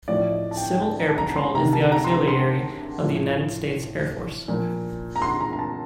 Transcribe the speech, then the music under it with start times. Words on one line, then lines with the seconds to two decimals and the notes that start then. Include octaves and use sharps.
Civil Air Patrol is the Auxiliary of the United States Air Force.
0.08 A2 F3 D5
0.32 D#5
0.51 A5
0.57 G5
0.72 G5
0.82 A5
0.99 A#5
1.09 A5
1.18 A#5
1.36 C6
1.54 C3 D#3 A#5
1.73 A5
1.92 A#5
2.04 C6
2.10 A#5
2.27 C6
3.01 A2 F3
4.48 A#2 F3
5.16 A#5
5.22 C6
5.40 A#5
5.53 A#5
5.59 A5